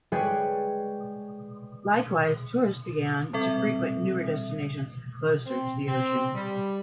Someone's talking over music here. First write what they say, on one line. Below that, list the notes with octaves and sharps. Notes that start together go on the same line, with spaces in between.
Likewise, tourists began to frequent newer destinations closer to the ocean.
G#3 G#4 B4 C#5 D5 G5
G3 C4 A4 E5
C4
C4
G3